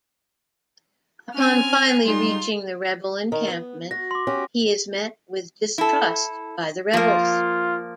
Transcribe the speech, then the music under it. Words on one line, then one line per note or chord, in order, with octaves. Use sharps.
Upon finally reaching the rebel encampment he is met with distrust by the rebels.
C4 C#4 G#5 F6
G3 G#3 D#4 F4 C6
D#3
B3
F#4 A#6
C6 D6
C#4 F#4 G4
E4 A4
F3 A#3 F4